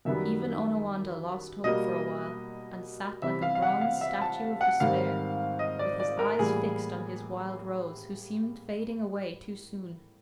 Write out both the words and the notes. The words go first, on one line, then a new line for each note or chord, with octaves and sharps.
Even Onawandah lost hope for a while, and sat like a bronze statue of despair, with his eyes fixed on his Wild Rose, who seemed fading away too soon.
F#2 D#3 G3 B3 E5
B2 G3 A#3 D#5
C3 E3 G3 B3 E5
F5
F5
F#5
F5
E5
A5
F#5
G#2 D#3 G3 C4 F5
D#5
D5
D5
A#4
A2 E3 G3 A#3 G#4